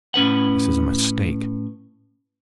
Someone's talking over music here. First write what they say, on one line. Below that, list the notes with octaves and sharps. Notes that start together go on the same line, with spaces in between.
This is a mistake.
A2 C#4 B4 F#5